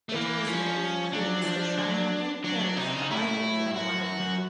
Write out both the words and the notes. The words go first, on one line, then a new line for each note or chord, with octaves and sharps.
It presumably includes the shrine and parish of Our Lady of Guadalupe.
A3
E3 A#3
F3 C#4
F#3 D4
E3
F3
F#3
F#3 D4
F#3
C3 D#4
C#3
A2 E4
G2
F#2 F#4
F#2
F#2